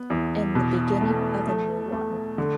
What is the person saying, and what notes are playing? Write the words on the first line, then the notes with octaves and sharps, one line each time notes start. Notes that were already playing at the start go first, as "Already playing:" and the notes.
And the beginning of a new one.
Already playing: B3
E2
B2
A3
A3
A3
D3